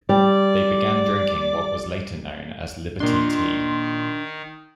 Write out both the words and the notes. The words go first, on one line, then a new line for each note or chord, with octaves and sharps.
They began drinking what was later known as liberty tea.
G3 D5
A#2 D#3 D4 C6